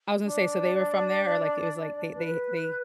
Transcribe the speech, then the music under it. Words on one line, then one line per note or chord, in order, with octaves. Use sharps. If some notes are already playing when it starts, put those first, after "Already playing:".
I was gonna say, so they were from there or like, it was like they they they
D4 D5
B4